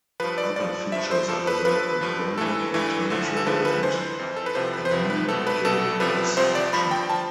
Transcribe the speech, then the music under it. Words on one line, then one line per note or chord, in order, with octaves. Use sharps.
Other features are the employment of time travel and a "New Game Plus" option.
G2 F3 B4
D5
G2 F3 D5
G2 F3 E5
C5
G2 F3 A4
B4
G2 F3 B4
G2 F3
G2 E3 A4
G2 E3
D2 D3 F3
A4
D2 D3 F3 B4
B4
F2 E3 C5
F2 E3
A4
B4
C2 C3 F3 C5
B4
C5
C2 C3 F3 B4
B4
C2 B2 A4
B4
C2 B2 A4
C2 C3 F3 B4
C2 C3 F3 C5
D5
G2 F3 B5
G5
F3 A5